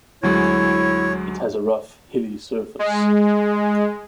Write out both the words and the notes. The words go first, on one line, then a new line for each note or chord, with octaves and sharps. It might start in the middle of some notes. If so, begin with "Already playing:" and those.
It has a rough hilly surface.
D2 F#3 G#3 E4 C#5
G#3